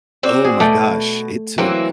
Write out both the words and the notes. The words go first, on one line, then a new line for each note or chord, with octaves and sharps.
Oh my gosh. It took
C4 D4 F#4
G#4
B2 A3 D5 G5
E3 F#3 A#3 C4